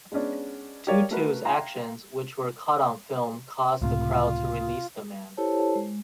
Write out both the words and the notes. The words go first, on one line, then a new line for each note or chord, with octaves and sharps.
Tutu's actions, which were caught on film, caused the crowd to release the man.
G#3 B3 C#4 D4
G4 A#4 C#5 D5 F5
A3 F#4 A#4 B4
E5 F5 G5 A#5 C6
C#2 A2 C3 F4
E4 G4 A4 C5 C#5 A5
G#3